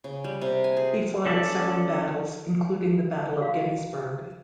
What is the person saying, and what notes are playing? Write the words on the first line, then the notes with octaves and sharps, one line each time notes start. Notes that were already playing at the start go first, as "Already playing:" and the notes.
He fought at several battles, including the Battle of Gettysburg.
C#3
G3
C3
G#5
G#4
C#4 A4 D5 E5
F#4 F5